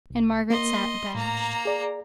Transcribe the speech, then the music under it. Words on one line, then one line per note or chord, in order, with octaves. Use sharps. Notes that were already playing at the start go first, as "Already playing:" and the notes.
And Margaret sate abashed.
C2
A#3 D#5 C6
A2 A#3 A#5
G#4 D5